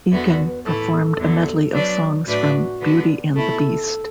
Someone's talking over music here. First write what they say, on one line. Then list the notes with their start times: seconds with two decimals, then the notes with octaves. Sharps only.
Egan performed a medley of songs from "Beauty and the Beast".
0.11 E2 D3 B3 F#4 E5
0.30 D5
0.47 B4
0.65 A2 E3 A3 E4 A4
1.19 E2 D3 F#3
1.72 F#3 D4 B4 D5
2.26 A2 A3 D4 F#4 B4 D5
2.80 D3 B3 D4
3.34 B2 A3 E4 A4